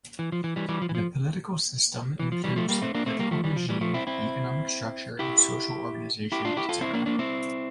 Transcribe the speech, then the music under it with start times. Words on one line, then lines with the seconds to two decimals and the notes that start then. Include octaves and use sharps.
The political system includes the political regime, the economic structure, the social organization, etc.
0.19 E3
0.32 F3
0.44 E3
0.56 E3 G3
0.69 E3 G3
0.82 F3
0.89 E3
0.95 F3
2.19 E3
2.32 F3
2.44 E3 G3
2.56 F3 A3
2.69 G3 A#3
2.82 A3 C4
2.95 A#3 D4
3.06 A3 C4
3.19 G3 A#3
3.31 F3 A3
3.44 E3 G3
3.56 F3
3.69 E3 G3
3.81 F3 A3
3.94 C4 E4
4.07 C4 E4
5.19 E4 G4
6.32 E4 G4
6.45 D4 F4
6.56 E4 G4
6.69 F4 A4
6.81 C4 E4
6.93 A#3 D4
7.06 A#3 D4
7.19 C4 E4